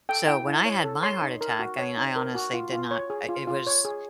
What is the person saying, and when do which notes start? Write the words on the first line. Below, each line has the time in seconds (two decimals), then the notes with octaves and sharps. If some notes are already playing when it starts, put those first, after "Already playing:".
so when I had my heart attack, I mean, I honestly did not I it was
0.09 A4 G5
0.27 E4 G5
0.47 E4
0.65 C#5
0.84 A4
1.03 C#5 C6
1.22 D#4
1.41 A#4
1.59 F#4
1.79 C#5
1.97 D#4
2.16 A#4
2.35 F#4
2.53 F4
2.72 F4
2.91 C#5
3.10 G#4
3.29 F4
3.47 F4
3.67 C#5
3.85 G#4